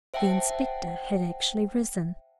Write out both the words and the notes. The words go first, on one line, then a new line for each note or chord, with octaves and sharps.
The inspector had actually risen.
C5 E5 F#5 G5 A5